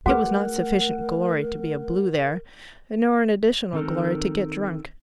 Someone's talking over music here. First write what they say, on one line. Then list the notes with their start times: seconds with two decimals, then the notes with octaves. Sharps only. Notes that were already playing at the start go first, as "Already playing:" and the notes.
It was not sufficient glory to be a Blue there, nor an additional glory to get drunk.
0.06 A3 F#4 G#4 A#4 B4 F#5
3.73 D#3 C4 D#4 A4 A#4